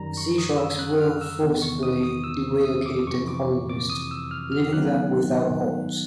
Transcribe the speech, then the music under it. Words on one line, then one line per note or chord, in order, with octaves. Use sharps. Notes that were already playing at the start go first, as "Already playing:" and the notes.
Zetrox will forcibly relocate the colonists, leaving them without homes.
Already playing: F#2 D#3 G3 A#5
C#6
D#6
E6
F#6
F6
E6
E2 C3 D#3
C#6
D#6
D#6
E6
D#6
D6
F2 C3 E3 C#6
D6
D6
D#6
E6
F6
F6
D#3 F#3 B3 D#4 F#6